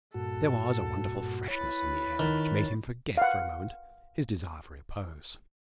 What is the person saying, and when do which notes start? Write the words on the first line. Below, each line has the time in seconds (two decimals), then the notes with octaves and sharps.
There was a wonderful freshness in the air which made him forget for a moment his desire for repose.
0.14 G2 A#2 F#4 A4
1.48 E4 B4 C#5 A6
2.19 D#3
3.18 F5 F#5